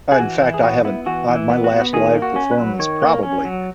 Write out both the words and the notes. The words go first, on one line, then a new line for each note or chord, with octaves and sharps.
in fact, I haven't uh, my last live performance probably
G#4
E3 F#4
E3 E4
G#4
B3 F#4
B3 E4
E3 F#4
E3
E4
B3
F#4
B3
D#3 G#4
A#3
F#4
C#4
B4
F#3
D#3 C#5
A#3
C#4
F#3